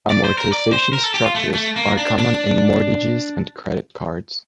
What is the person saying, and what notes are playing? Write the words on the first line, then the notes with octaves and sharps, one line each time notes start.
Amortization structures are common in mortgages and credit cards.
D5
C5
A#4
D5
C5
A#4
A4
G4
F4
A3
A3
A#3
D4
D4